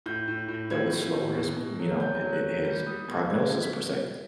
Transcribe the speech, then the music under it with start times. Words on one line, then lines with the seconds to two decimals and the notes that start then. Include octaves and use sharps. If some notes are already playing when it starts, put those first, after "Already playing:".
that would slower his, you know, h h his prognosis per se.
0.06 A2 G6
0.28 A2
0.48 A2
0.70 A2 G#6
0.93 A2
1.14 A2
1.35 B2
1.57 B2
1.79 F#3
2.00 F#3 G6
2.23 F#3
2.33 F#6
2.44 F#3
2.65 G3 G6
2.87 G3 D#6
3.08 B2 G#6
3.30 B2 G#6
3.47 B2 G#6
3.63 B6